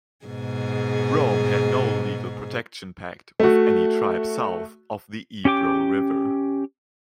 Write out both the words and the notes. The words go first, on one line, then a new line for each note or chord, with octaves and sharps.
Rome had no legal protection pact with any tribe south of the Ebro River.
G#2 B2 G#4
A3 F#4
C#4 G4 G5 D6